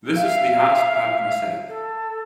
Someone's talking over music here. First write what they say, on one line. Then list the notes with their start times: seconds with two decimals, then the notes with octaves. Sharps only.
This is the hardest part of my setup.
0.17 E5 F5
1.68 A4